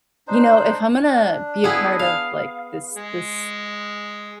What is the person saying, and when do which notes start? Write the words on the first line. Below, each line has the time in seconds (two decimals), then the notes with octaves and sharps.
you know, if I'm gonna be a part of, like, this this
0.28 D4 D#4 C5
1.03 D4
1.64 B3 E4 G#4
1.99 F5
2.96 G#3